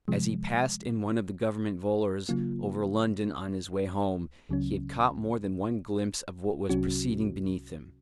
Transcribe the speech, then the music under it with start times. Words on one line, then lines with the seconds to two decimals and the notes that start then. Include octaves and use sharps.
As he passed in one of the Government volors over London on his way home, he had caught more than one glimpse of what was proceeding beneath him.
0.08 C3 F3 G#3
2.29 C#3 F#3 A#3 F4
4.49 C#2 C#3 F#3 C#4
6.70 C2 C3 F#3 C#4 F#4